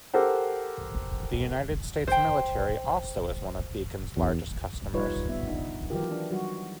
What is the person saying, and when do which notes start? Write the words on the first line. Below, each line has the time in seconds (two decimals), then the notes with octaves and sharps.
The United States Military also is one of Bekins' largest customers.
0.14 G4 A4 A#4 C5 F#5
2.07 C5 G5
4.17 E2
4.94 G3 D#4 F4 B4 C#5
5.29 B3 E5
5.47 D4 D#4
5.90 D#3 E3 F#3 F4 G4 A#4
6.11 D4
6.31 F#3 G3 F#4